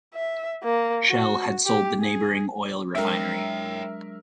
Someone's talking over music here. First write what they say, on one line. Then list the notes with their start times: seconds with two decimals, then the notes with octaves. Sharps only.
Shell had sold the neighbouring oil refinery.
0.14 E5
0.64 A#3
1.10 F#4
1.66 G4
2.00 G#4
2.95 F#3 G#3 D4 A#4 C#5 E5 G5